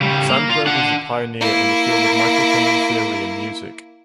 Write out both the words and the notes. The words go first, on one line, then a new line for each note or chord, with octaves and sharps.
Sandberg was a pioneer in the field of microtonal theory and music.
C#3 G3
A#3
F4
D4 F#5
A#3 E4